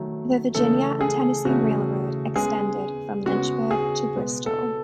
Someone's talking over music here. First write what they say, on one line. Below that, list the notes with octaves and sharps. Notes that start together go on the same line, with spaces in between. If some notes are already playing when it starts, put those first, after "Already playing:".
The Virginia and Tennessee Railroad extended from Lynchburg to Bristol.
Already playing: D#3 F#3 A3
C#3 E3 A3 A4
G#4
C#3 E3 A3 F#4
C#3 G#3 B3 G#4
C#3 G#3 B3 F#4
G#4
B2 G#3 B3
A4